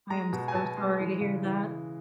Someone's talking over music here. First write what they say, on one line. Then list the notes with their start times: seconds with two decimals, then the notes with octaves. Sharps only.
I am so sorry to hear that.
0.10 G#3 A#5
0.33 B2
0.48 G#5
0.54 B2 A5
0.77 G#3
0.99 E3
1.21 C#3
1.44 E3